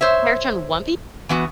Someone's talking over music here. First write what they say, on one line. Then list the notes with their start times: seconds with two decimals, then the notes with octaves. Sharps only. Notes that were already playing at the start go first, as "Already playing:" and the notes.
character in One Pi
0.01 C5 C#5 E5
1.29 E3 B3 F#4